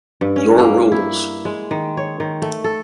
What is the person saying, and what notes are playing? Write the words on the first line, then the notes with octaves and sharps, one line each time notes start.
Your Rules.
G2
C#4
A#3
E4
G#3
D#3
C#5
D#3
A3
A4